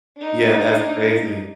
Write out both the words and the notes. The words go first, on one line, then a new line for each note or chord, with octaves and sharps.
Yeah. That's crazy.
D4 D#4